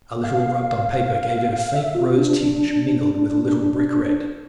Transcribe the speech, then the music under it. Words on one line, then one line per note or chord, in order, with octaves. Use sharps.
A little rubbed on paper gave it a faint rose tinge mingled with a little brick-red.
F5
F5
E5
F4
D4